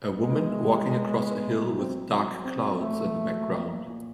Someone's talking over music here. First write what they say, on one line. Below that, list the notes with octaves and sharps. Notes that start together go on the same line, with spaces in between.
A woman walking across a hill with dark clouds in the background.
G#3 B3
B3
E4
G3
G3
B3
B3
B3
A3
F#3
C4
C4
F#3
F#3
C4
F#3
A3 A#3
A#2
A#3
F#3
A#3
A#3
A#2
A#2